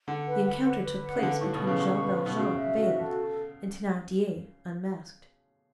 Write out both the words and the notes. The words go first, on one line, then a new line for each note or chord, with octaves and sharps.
The encounter took place between Jean Valjean veiled and Thenardier unmasked.
D3 F#5
B4
F#5
B4
B4
F#5
C#3
D3 B4
A2 C#6
B2
B4
C#3
D3 C#6
B4
C#6
B2
C#3 F#4
E5
F#4
A4